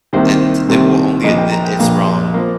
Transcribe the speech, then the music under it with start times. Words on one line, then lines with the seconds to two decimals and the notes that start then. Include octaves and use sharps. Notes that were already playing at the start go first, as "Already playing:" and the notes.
and it will only admit it's wrong
0.13 C2 C3 D#3 G3 A#3 C5
0.69 C2 C3 D#3 G3 A#3
1.24 A#1 A#2 A#3 D#5
1.38 G5
1.52 A#5
1.65 G5
1.79 A#1 A#2 A#3 F5
2.34 F3 A#3